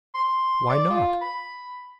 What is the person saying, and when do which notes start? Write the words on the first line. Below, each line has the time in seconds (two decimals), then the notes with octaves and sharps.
Why not?
0.14 C6
0.69 D5
0.90 F4
1.21 B5